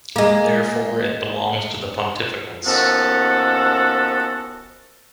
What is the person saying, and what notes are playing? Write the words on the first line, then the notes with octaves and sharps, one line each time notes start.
Therefore it belongs to the pontificals.
G#3 A#3
D#2 F3 B3 C#4 F#4 A4